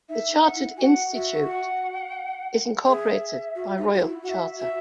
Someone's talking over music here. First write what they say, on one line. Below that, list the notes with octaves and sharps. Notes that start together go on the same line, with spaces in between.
The Chartered Institute is incorporated by Royal Charter.
D#4 E5
D#4
F#5
E4
F#4 F#5 G#5
F#4 E5
F#5
G#4 E5
F#4
D#4
F#4
E4
F#4 F#5
E5
F#4 E5